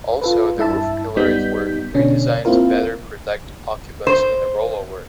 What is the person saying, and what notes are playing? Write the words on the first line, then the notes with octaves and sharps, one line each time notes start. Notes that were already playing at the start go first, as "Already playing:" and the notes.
Also, the roof pillars were redesigned to better protect occupants in a rollover.
F4 A4 B4
G2 E4 E5 A5
F#2 G3 B3 D#4 G6 B6
B2 D3 C#4 D4
A#3 C4 E4 F4 A#4
C5